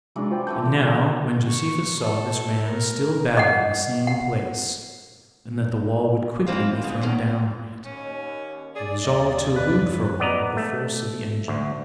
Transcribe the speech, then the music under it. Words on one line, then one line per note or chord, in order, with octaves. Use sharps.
And now, when Josephus saw this ram still battering the same place, and that the wall would quickly be thrown down by it, he resolved to elude for a while the force of the engine.
C3 E3 F#3 G#3 D4 D5
F4 C5 G5
D3 E3 C4 G6
E3 A3
C#6
A4
A#4
D#5 F#5
F#5
E3 G#3 A#3 C4 C#4 F4
C#3 B3
B2 D#3 C#4
D#2 C#4
G#4 D5
D#2 D#5
G1 F#2 B4 F#6
B3 D5 D#5 A#5
A3
D2